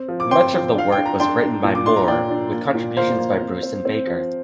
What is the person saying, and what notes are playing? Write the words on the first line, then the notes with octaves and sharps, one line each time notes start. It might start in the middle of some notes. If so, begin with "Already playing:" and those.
Much of the work was written by Moore with contributions by Bruce and Baker.
Already playing: C4
F3
D6
C4 G5 C6
F3
D4 F5
G5
D4
A#5
D4 G5 C6
D4
A#2
D6
D4 C6
A#5
A#2 D5 G5
D4
A#3
A#2
A#3 C5 F5
A#3
C4
C4
C4
F3